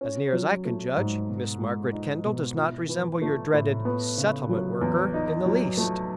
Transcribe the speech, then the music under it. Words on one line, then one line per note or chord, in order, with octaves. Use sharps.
As near as I can judge, Miss Margaret Kendall does not resemble your dreaded 'settlement worker' in the least.
C#4
F#3
A3
G#2
B2
G#3
D#4
B2
E4
E3
A3
A2
B3
C#3
F#3
E2
D#4
F#3
A3